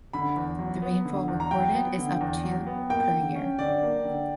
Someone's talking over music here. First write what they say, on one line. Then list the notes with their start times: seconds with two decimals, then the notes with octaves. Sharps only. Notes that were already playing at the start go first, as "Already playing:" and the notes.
The rainfall recorded is up to per year.
0.13 D3 B5
0.37 E2
0.59 F#3
0.82 B3
1.05 D3
1.28 E2
1.40 A#5
1.51 F#3 G5
1.74 B3
1.98 D3
2.21 E2
2.44 F#3
2.67 B3
2.89 A#3 G5
3.13 D3
3.35 C#4
3.59 D3 D5
3.83 A#3
4.05 D3